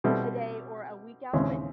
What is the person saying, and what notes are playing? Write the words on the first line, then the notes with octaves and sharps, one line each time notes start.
today or a week out. But
B2 G3 C4 E4 A4
D#2 C#3 E3 G#3 C4